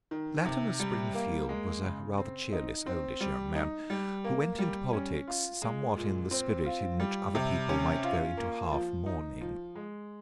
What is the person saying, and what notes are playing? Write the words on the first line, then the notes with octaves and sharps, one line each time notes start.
Latimer Springfield was a rather cheerless, oldish young man, who went into politics somewhat in the spirit in which other people might go into half-mourning.
D#3
C3
G3
A#3
G#3
C#3
C4
D#4
C4
G3
D#4
G3
A#3
G3
C#4
F4
G#3
A#2
C4
F4
G3
C3
C#4
F4
A#3
F3
D#4
F3
G#3